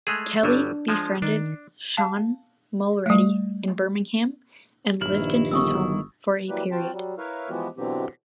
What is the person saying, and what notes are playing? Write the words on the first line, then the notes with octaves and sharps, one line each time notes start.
Kelly befriended Sean Mulready in Birmingham and lived in his home for a period.
G#3 A3 G#4
G1 F#3 G3 D4
F3 G#3
D#3 D4
F5 A5
G3 A3
A#1 G2 D#3 E4 F6 F#7
G1 C#6 D#6 E6
E3 F#3 G3 A#3 G4 B4
C4 F4 F#4 G5 A5
F#3 G3
E4 A#4 B4 C#5 E5 F5
E3 F3 G#3 B3 F#4 G4
B2 D3 E3 F#3 C4 G4